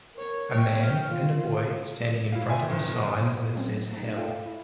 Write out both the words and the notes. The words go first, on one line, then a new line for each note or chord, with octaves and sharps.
A man and a boy standing in front of a sign that says HELL .
A#4 C#5
C#5 G5
G5 F6
F4
E4 F5
F4 C5 E5 G5 G#5 C6
G1 E2 G2 C#3
A#2
F#3 A3 C4 C#4
A3 D#4
F4 A4 D5 E5 F5 G5
E4